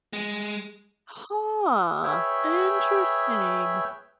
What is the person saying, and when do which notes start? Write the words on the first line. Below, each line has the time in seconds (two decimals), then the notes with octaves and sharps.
Huh, interesting.
0.13 G#3
2.04 G#4 B4 C#5 E5 G5